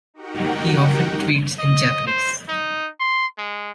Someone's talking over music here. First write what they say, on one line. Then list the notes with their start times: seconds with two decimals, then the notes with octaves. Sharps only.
He often tweets in Japanese.
0.14 D#4 F#4 G4 A#4 F#5 G5
1.58 D#5
2.06 C5
2.48 D#4
3.00 C6
3.38 G#3